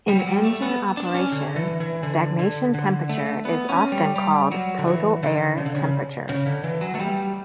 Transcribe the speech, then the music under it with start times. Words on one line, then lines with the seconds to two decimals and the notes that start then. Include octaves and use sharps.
In engine operations, stagnation temperature is often called total air temperature.
0.09 G3
0.19 F#3
0.26 G3
0.45 A3
0.62 B3
0.97 D4
1.14 C#4
1.32 D3
1.56 E3
1.80 E3
2.03 D3
2.39 D3
2.74 D3
3.09 A3
3.45 B3
3.69 C#4
3.92 G3
4.16 G3
4.52 F#3
4.79 D3
4.88 E3
5.23 D3
5.58 C#3
5.66 D3
5.75 C#3
6.29 C#3
6.47 D3
6.64 E3
6.81 F#3
6.95 A3
7.00 G3